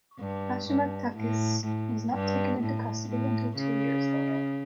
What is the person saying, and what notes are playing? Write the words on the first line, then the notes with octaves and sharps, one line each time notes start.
Ashima Takis was not taken into custody until two years later.
G2
G2
A2
A2
G2
A2
A2
C#3